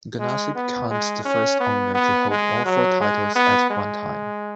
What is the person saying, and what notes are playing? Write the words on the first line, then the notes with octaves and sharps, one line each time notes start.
Ganassi becomes the first owner to hold all four titles at one time.
G#3
B3
G#3
C#4
B3
B3
G#3
F#3
G#3
B3
G#3